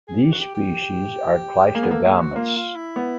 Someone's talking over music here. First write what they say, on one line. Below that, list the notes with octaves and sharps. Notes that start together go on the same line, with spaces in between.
These species are cleistogamous.
G#4
G4
F#4
G4
G4
A#3 G#4
B3
A#3 A4
A#3 G#4
F#4
A#3 F4
F4
E4
B3